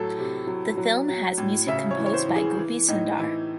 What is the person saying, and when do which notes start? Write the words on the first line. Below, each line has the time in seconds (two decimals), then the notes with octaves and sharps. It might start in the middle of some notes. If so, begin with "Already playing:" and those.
The film has music composed by Gopi Sundar.
Already playing: A2 F#3 A4
0.18 C3
0.47 F#3
0.77 F#3
1.08 F#3
1.37 A2
1.67 C#3 E5
1.91 C#5
1.98 E3
2.06 C#5
2.13 C5
2.28 E3
2.36 G#4
2.59 E3
2.88 A2 D#4
3.19 E3 E4